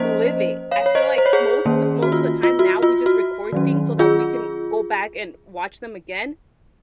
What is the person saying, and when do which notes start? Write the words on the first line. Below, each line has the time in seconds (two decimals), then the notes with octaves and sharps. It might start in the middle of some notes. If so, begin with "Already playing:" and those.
live it. I feel like most t most of the time now we just record things so that we can go back and watch them again.
Already playing: F3 A#3 C#4 C5 D#5
0.71 C#5 F5
0.86 C#5
0.95 C5 D#5
1.18 C5
1.26 C#5
1.33 G#4 C5
1.66 D#3 A#3 C#4
2.02 F#4
2.12 F4
2.43 F4
2.59 F#4
2.82 F4
3.06 F#4
3.52 D#3 F#3 C#4
3.99 F4 G#4